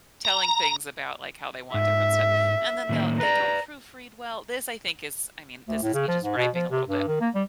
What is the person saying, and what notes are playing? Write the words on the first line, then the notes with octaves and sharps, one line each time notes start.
telling things about, like, how they want different stuff, and then they'll they don't proofread well this I think is I mean, this is me just griping a little bit.
A#5
G#2 E5
A2 D#3 A#3
B4 D5 A#5
D2
A2
C#3
F3
G#2
B2
F3
C3
G2
D#3
A#3
G3